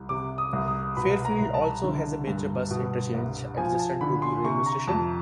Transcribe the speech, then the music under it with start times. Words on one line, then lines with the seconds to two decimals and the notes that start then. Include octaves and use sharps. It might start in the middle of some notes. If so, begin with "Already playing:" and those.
Fairfield also has a major bus interchange adjacent to the railway station.
Already playing: C2
0.09 C3 D6
0.38 D#6
0.53 C2
0.68 D#6
0.97 B2 B5
1.25 A#5
1.40 C2
1.54 A5
1.84 D3
2.27 G2
2.71 B2
3.14 C2
3.57 F3 G#5
3.79 A5
4.01 D3 B5
4.22 C6
4.45 C3 C#6
4.66 A#5
4.87 F2 A5